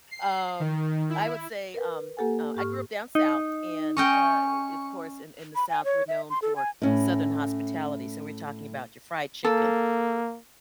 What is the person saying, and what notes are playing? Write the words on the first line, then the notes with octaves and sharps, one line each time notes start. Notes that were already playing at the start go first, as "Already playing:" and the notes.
um, I would say, um, uh, I grew up down south, and, uh, of course, in in the South, we're known for southern hospitality, so we're talking about your fried chicken,
C7
D#3
E4
A#4 B4
A#3 G4 A4 F#5 G#5
G#2 G4 C#6 F6
D#4
C#4 D#5 G5 C#6
B5
G#5
C#5
E5
C6
A4
G#5
A2 C#4
A#3 A4